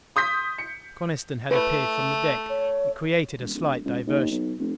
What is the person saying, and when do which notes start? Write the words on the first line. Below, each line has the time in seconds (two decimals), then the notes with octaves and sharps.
Coniston had appeared from the deck; it created a slight diversion.
0.16 C6 D#6 G6 B6
0.58 C#7
1.51 A3 B4
2.49 C#5
3.39 E1
3.54 D1
3.85 C#2
4.07 D#2
4.31 B1
4.59 F1